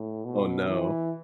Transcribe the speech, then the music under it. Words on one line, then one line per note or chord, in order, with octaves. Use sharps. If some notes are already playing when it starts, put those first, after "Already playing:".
Oh, no.
Already playing: A2
B2
E3